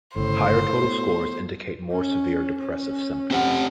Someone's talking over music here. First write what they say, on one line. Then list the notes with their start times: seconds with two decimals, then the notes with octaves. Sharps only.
Higher total scores indicate more severe depressive symptoms.
0.16 G1 A2 C#3 C5
0.84 B3
1.92 C#4
2.59 C#4
3.31 C4 G4 F#5